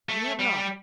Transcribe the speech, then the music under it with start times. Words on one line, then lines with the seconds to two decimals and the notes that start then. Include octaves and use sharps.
You have not.
0.09 A3
0.40 G3